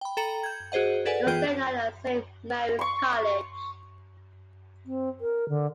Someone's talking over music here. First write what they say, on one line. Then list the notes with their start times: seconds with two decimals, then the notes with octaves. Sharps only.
It was then known as Saint Mary's College.
0.01 G5 B5
0.17 A4 G5 A#5 C#7 F#7
0.43 G6 G#6
0.72 F#4 G#4 C5 D#5 F#5
1.05 G#4 A4 B4 D5 F#5 G#5
1.26 E3 B3 F4 G#4 G5 G6
2.79 C6 C#6
4.86 C4
5.21 A#4
5.49 D3